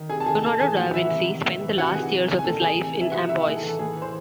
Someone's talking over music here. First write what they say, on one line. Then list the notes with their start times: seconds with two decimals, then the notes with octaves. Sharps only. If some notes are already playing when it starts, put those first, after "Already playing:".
Leonardo da Vinci spent the last years of his life in Amboise.
Already playing: D#3
0.09 C3 G#4 G#5
0.20 A5
0.26 D#3 G#4 G#5
0.43 A2 A4 A5
0.59 E3 G#4 G#5
0.77 A2 F#4 F#5
0.94 E3 E4 E5
1.11 C3
1.27 D#3
1.44 A2
1.61 E3
1.78 C3 F#4 F#5
1.94 E3 G#4 G#5
2.11 C3
2.27 D#3
2.39 G#5
2.44 A2 A4 A5
2.62 E3 G#4 G#5
2.78 C3
2.95 E3
3.01 E5
3.12 C3 F#4 F#5
3.29 D#3 E4 E5
3.46 A2 G#4
3.56 A4
3.62 E3
3.68 A4
3.79 A2 G#4
3.96 E3
4.02 C5